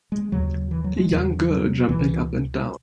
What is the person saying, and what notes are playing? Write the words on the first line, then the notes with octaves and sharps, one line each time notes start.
A young girl jumping up and down.
G#3
D#2 C#3 F#3
E3
F#3
G#3
E2 C#3 F#3
F#3
C#2 B2 E3